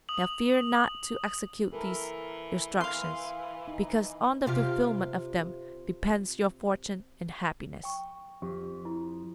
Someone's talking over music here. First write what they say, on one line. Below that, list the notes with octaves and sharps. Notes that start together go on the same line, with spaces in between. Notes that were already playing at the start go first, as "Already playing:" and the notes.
Now fear not to execute these instructions, because on the fulfilment of them depends your fortune and happiness.
D#6 F#7
E3 A4 A#4
F5 C6
D#4
C3 F4 G4
G5 C#6
F2 G4
E4